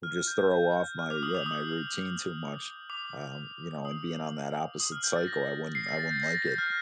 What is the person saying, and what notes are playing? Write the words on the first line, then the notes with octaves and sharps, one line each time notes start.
Just throw off my, yeah, my routine too much, um, you know, and being on that opposite cycle, I wouldn't I wouldn't like it.
F6
G6
G6
F6
D6
D#6
D6
D#6
D6
D#6
D#6
F6
G6
A6
A#6
C7
A6
A6
G6
A#6
A6
G6
F6